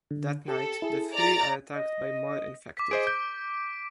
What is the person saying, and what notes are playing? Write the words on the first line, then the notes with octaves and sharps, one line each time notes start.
That night, the three are attacked by more infected.
D3
G4 A4
E4 G#4
D5 A#5 A6
D#5
D6 B6
G#4 C5 D#5 D7
G6